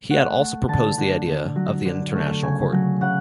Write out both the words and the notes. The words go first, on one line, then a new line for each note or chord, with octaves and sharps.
He had also proposed the idea of the International Court.
A3 F#5
A3
D3 A5
D3
D3
F#3
D3
A3
C#3 G#5
F#3
C#3 F#5